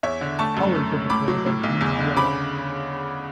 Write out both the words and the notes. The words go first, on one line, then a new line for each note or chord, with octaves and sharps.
The colours of the club are green and yellow.
E2 C#5 E5
D3
A3 A5 C#6
F#2
A3
C#2
A2 B5 D6
F#3
A2
B1
E2
D3
C#3 B5 D6